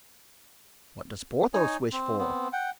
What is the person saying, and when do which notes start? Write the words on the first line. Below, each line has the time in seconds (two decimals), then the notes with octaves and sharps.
"What does Porthos wish for?"
1.54 D#4 C#5 G#5
1.92 C4
2.18 B3 C4
2.53 F#5 G5